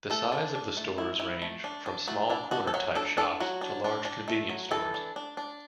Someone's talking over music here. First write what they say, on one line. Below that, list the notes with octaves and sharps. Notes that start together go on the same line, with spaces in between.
The size of the stores range from smaller corner-type shops to larger convenience stores.
A3 A4
D4
D4
A3
E4
E4
A3
D4
D4
A3 F#4
D4 E4
D4 F#4
A4
F#3 F#4
D4 A4
D4 A4
F#3 F#4
D4
D4
D4
A3
F#3
E3 A4
D4
D4
D4